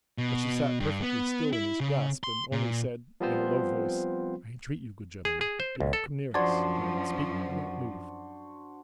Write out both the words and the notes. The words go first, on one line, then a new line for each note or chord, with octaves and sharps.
But she sat perfectly still in his grasp, and only said, in a low voice, "I entreat you, good gentlemen, do not come near us, do not speak, do not move!"
B2
G2
B3
E4
C#3
C6
A#2
F3 G3 B3 C4 F4 C5
G#4
G#4
C5
C#2
A4
F#2 F3 D4 F#4 C5 D5 G#6